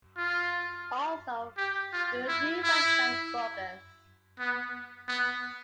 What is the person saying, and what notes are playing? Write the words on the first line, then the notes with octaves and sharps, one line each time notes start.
Also, you will do much that is bogus.
F4
G4
F4
E4
E4
B3
B3